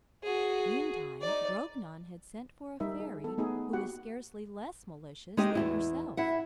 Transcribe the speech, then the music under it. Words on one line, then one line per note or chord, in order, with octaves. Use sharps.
Meantime, Grognon had sent for a fairy, who was scarcely less malicious than herself.
F#4 G#4
D#4 D5
G3 D#4 A#4 E5
G#4
B3 A4
A3 B3 D#4 G#4
A#3 F#4 G4 F#5 B5
G#3 C4 D#4 G4 D#5
E2 G#2 E4
E4 E5 F#5